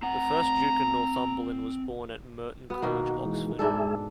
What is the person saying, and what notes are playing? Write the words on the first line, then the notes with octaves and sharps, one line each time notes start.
The first Duke of Northumberland was born at Merton College, Oxford.
C4 F#5 A#5
B3 F#4
B2 D#3 A#3
E3 G#3
G#2 G#3 D4 G#4 A4 E5